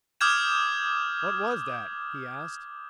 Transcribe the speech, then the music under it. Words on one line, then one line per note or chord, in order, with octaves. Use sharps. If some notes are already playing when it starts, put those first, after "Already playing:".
"What was that?" he asked.
D6 D#6 F6 G6 G#6 E7